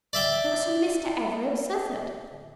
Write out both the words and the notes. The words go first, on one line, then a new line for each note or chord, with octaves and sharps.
"It was from Mr. Everett Southard."
D5 E5 G5